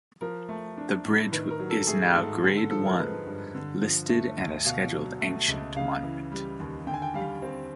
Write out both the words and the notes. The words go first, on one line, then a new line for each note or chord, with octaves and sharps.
The bridge is now Grade One listed and a Scheduled Ancient Monument.
F3 A#4
A3
D4
A2
D#3 B4
A#4
F#3
A4
A3 G#4
G#2 A4
D3 G#4
A4
F3 A4
A#4
G#3 B4
G2
D3
F3
A3
D2
B2 F5
F#3
A3
C#2
C#3 F5
E3
G3
D#2
D3 G5
G#5
G5
G3 F5
C4